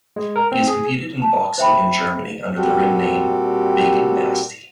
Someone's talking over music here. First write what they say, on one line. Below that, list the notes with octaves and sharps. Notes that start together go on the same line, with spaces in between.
He has competed in boxing in Germany under the ring name "Big Nasty".
G#3
A#4
C4
G#4
A5
C5 E5 G5 B5
A#2 G3 C4 F#4 G4 A4